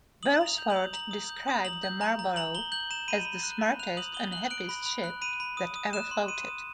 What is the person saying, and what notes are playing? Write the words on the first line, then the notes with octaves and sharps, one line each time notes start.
Beresford described the "Marlborough" as "the smartest and happiest ship that ever floated".
D#6 F#7
A#5
F7
G6
F#7
D#6
A#5 F#7
D#6
G6
D#6
A#5 F#7
G6
A#5
A#5
A#5 F#7
A#5 G7
G6 F#7
A#5 E7
B5 D#7
B5
F#6
B5
F#6 F7
D#6 F#7
D#6 G7
F#6 F#7
F#6 D7
B5
B5
F#6
B5 D#7
B5
D#6
D#6
F#6 E7
C6
C6 D#7
D#6